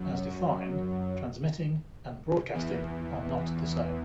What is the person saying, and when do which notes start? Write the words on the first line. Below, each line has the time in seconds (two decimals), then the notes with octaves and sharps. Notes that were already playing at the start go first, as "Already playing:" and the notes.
As defined, "transmitting" and "broadcasting" are not the same.
Already playing: F#2 F#3
2.54 E2 E3